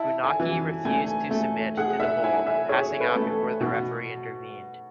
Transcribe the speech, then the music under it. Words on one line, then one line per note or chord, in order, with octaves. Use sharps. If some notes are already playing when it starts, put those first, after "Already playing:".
Funaki refused to submit to the hold, passing out before the referee intervened.
Already playing: E4 A5
G#5
E3
A3 G#5
A3
G#4 F#5
E5
E4 G#5
E5
G#4 C#5
B4
A3
A4
B2 F#4